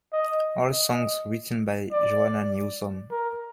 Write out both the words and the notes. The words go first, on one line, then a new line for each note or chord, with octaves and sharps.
All songs written by Joanna Newsom.
D#5
D#5
D5
A#4